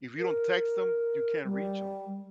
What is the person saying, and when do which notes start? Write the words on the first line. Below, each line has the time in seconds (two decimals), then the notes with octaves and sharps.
If you don't text them, you can't reach 'em.
0.18 A#4
1.44 G3